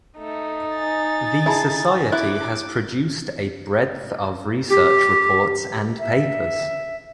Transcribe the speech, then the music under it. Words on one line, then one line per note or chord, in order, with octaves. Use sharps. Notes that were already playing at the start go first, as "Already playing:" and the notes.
The society has produced a breadth of research reports and papers.
A3 D#4
G#5 A6
E4 G#4 A5 A#5
E4 D6 F#6
G4
E5